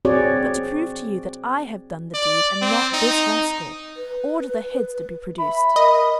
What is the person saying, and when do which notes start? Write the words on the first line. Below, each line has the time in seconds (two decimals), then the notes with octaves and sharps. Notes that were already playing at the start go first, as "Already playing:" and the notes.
But to prove to you that I have done the deed and not this rascal, order the heads to be produced.
0.05 C4 F#4 G#4 C#5 D5
2.14 D5
2.61 C4
2.94 D#4
3.97 B4
5.39 E5 B5
5.76 A#4 D#5